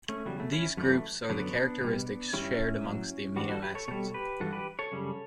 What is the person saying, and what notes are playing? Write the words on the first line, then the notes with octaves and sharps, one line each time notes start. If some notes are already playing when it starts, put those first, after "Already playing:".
These groups are the characteristics shared among the amino acids.
A3 C#4
E2 C#3 F#3 G3
A3
C#4 E4
F#2 E3 G3 A3
F#2 D3 F#3 B3 D4
B2 G3
G2 D3 G3 C#4 E4
A2 F#3
G2 E3 G3 D4 F#4
F#4 A4
G4 B4
A4 C#5
B2 G3 A4 C#5
G4 B4
G2 E3 G3 F#4 A4
G4 B4
A4 C#5
F#2 C#3 G3